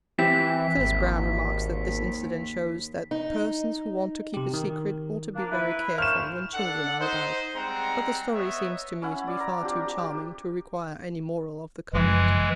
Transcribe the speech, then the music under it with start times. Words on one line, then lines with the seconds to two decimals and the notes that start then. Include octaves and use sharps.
Phyllis Browne remarks that this incident shows 'that persons who want to keep a secret ought to be very careful when children are about'; but the story seems to me to be far too charming to require any moral of the kind.
0.19 E3 C4 E4 G4 B6
0.77 G#1 D#2
3.11 D#4
4.34 C3 G4
4.54 D#3
5.35 A#3 D4
5.51 E4 B4
5.98 A#3 C#4 C5 F6 E7
6.54 D4 A4 F#5
7.00 D#4 C5
7.55 G3 G#3 C4 F#5 A#5
8.34 B3 C#5 D#5 E5
9.02 C#4 E4 F#5
9.27 D5
9.40 A#5
9.61 C4 D4 F4 G4
9.86 G4
10.03 G4
11.93 F#1 E3 F3 G#3